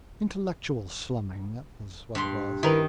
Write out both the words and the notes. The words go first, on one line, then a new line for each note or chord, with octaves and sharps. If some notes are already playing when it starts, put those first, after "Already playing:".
Intellectual slumming, that was what it was.
G2 C6
D#3 E4 A#4 B4